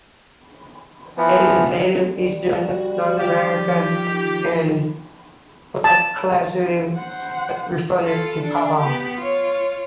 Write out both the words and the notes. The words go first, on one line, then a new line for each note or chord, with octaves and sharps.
It is native to eastern North America and collectively referred to as pawpaw.
E3 F3 B3
G3
F#4
D#3 F3 G4
A5
C5 F#5
F4 A4
D4
B3 G4
F4 C#5